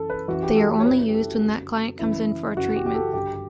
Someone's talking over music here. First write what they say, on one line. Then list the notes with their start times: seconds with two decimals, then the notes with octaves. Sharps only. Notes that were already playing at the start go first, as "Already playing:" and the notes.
They are only used when that client comes in for a treatment.
Already playing: F#2 E3 A4
0.10 B4
0.28 F#2 E3 F#4
0.43 G4
0.57 A4
0.71 A4
0.79 C#5
0.85 F#2 C#3 E3 B4
1.00 B4
1.08 G4
1.14 A4
1.28 F#4
1.43 F#2 D3
1.99 F#2 C#3 E3 E4
2.57 F#2 C#3 E3 F#4
2.76 G4
2.86 G4
2.94 A4
3.13 G2 D3 G4
3.33 G4